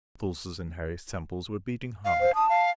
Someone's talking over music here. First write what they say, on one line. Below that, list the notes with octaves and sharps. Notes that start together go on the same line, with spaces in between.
The pulses in Harry's temples were beating hard.
F5
C5
A5 D#6
F5